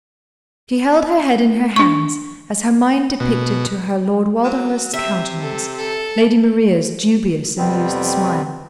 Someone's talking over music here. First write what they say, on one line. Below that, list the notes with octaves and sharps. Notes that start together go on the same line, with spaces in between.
She held her head in her hands as her mind depicted to her Lord Walderhurst's countenance, Lady Maria's dubious, amused smile.
D4 C#6
B2
F#3
C3 E5
A4
A4
F2 C3 G3 B3 C4